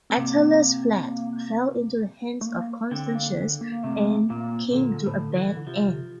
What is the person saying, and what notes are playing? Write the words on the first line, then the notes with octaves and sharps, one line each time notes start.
Attalus fled, fell into the hands of Constantius, and came to a bad end.
C4
C3 A#3
A3
A#3
D3 C4
C4
A#3
A#3
A#3
C3 A3
A#2 A#3
C3
A#2 D3
A2
E3
D3
C3 F3